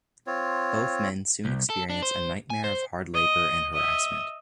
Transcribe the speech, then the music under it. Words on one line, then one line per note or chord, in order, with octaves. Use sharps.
Both men soon experience a nightmare of hard labour and harassment.
C4 F4 C#5
C2
A4
D4
C5
G#5
C5
D#5
D#5 E5